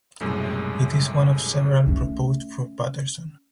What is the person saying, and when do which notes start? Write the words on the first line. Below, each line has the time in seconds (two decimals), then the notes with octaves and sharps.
It is one of several proposed for Paterson.
0.20 B1 F#2 A2 C3 G3 G#3
1.86 A3 C#4